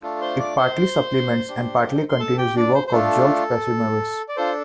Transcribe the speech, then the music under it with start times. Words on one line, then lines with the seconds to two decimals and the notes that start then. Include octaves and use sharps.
It partly supplements and partly continues the work of George Pachymeres.
0.03 A3 D4 F4 A4
0.21 C5 C6
0.39 D5 D6
0.57 C5 C6
1.48 D4 G4
2.09 C6
2.20 A4 A5
2.38 G4 G5
2.56 D4 D5
2.74 C5
2.87 C5
2.92 A3 D4 F4 A4
4.29 D5
4.37 D4 F4 A4 C5